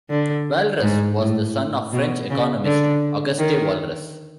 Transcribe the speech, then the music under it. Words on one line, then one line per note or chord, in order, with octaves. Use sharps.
Walras was the son of French economist Auguste Walras.
D3
G#2
A2
B2
C#3
D3
D#3